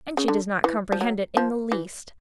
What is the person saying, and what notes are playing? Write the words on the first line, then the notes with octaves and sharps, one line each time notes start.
"And she does not comprehend it in the least."
C#3
D3
E3
F3
F#3
F3
E3